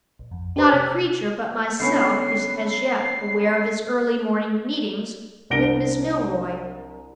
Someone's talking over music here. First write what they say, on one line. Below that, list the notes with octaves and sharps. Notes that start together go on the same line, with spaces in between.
Not a creature but myself is as yet aware of his early morning meetings with Miss Milroy.
A#1
F2
D4 G4 A4 B4 C5
C3
D3 B3 C#4 C7
C2 D4 A#4 A#6 D7 G7